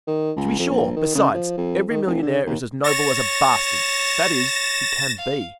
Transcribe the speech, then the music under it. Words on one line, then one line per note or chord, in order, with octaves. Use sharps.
"To be sure; besides, every millionaire is as noble as a bastard--that is, he can be."
D#3
C#2
F2
A#1
D#3
C#3
F3
F2
D#3
F1
D3
D#2
C#5 A6 A#6 E7
F5